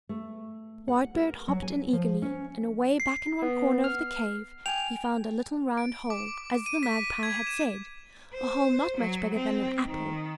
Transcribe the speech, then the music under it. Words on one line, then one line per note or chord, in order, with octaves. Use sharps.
Whitebird hopped in eagerly, and away back in one corner of the cave he found a little round hole, as the Magpie had said; a hole not much bigger than an apple.
A3
F#5
A#4
F#3
G#5
F3
C#4
C7
B3
F6
G5 G#5 F7
D7
D6
D6
D#7
B6
G#6
E7
C5
F#3
C4
D#3